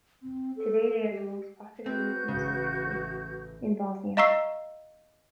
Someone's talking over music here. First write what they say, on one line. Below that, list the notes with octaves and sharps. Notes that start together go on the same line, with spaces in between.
Today they are the most popular root music group in Bosnia.
C4
A4
G4
C4 F#4 B4 G6
A1 C#3 E3
D#5 F5 A#5 C#6 E6 C7